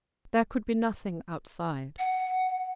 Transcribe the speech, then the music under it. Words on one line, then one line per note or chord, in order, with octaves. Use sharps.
There could be nothing outside.
F#5